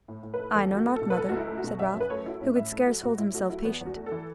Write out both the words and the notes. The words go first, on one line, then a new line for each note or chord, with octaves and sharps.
"I know not, mother," said Ralph, who could scarce hold himself patient.
A2
A2
A3 B4
E2 A4
E2 F#4
A3
A4
B2
B4
C#2 A4
C#2 F#4
E4
A3
F#4
B2
F#2 E5
F#2
B4
A3 C#5
F#3 E4
A2 C#4
A2 E5
A3 A4
F#3 F#4
A2 F#4
A2 E4
A3 F#4
F#3 E4
E2 B3
E2
F#4
A3
A4
E3